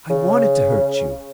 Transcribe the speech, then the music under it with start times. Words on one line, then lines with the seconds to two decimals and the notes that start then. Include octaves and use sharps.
I wanted to hurt you.
0.10 C#3